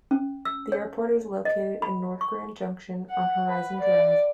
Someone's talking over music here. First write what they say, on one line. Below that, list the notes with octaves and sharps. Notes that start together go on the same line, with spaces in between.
The airport is located in north Grand Junction on Horizon Drive.
C#4
E6
C#5
D#5
B5
C#6
F#5
B4
D5